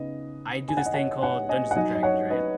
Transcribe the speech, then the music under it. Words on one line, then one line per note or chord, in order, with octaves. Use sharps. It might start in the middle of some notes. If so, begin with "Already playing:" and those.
I do this thing called Dungeons and Dragons, right?
Already playing: C#3 B3 D#4 B4 D#5
G#5
F#5
D#5
C#5 F#5
C#5 F#5
D#5 G#5
F#5
F#3 D#4 D#5 G#5
D#5
C#5 F#5
B4 D#5